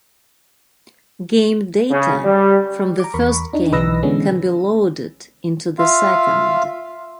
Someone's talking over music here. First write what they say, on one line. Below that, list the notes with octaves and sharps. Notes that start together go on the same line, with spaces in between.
Game data from the first game can be loaded into the second.
C#3
G3
A#5 D6
E2 A#4 B5 C#6
D4 D#4
B1 E3 B4 D#5 E6 A#6
D3 E3 G#3 B3 C#4 D4
F4 E5 F5